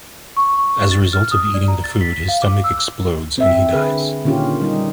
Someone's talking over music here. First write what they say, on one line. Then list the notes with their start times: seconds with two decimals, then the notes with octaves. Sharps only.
As a result of eating the food, his stomach explodes, and he dies.
0.37 C#6
0.57 C#6
0.91 A6
1.13 F6
1.31 D#6
1.54 D5
1.68 A#5
1.84 A6
2.01 B6
2.28 F5
2.42 D6
2.64 E6
3.38 C4 E5
3.73 D3 G#4 B4
4.25 A#2 D3 D#3 C#4 F4 G4
4.62 G3 D#4